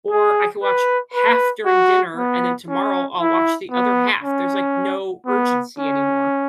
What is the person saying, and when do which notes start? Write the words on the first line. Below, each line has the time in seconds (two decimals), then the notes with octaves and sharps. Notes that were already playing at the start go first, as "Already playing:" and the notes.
or I could watch half during dinner, and then tomorrow I'll watch the other half, there's, like, no urgency anymore.
0.11 G#4
0.63 B4
1.14 B4
1.65 F#4
2.17 B3
2.69 C#4
3.20 E4
3.71 B3
4.23 C#4
5.27 B3
5.78 C#4